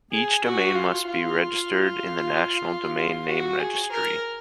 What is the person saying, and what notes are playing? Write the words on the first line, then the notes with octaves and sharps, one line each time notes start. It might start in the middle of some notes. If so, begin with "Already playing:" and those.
Each domain must be registered in the National Domain Name Registry.
G#4
F#4
F4
F4
F4
F#4
G#4
A#4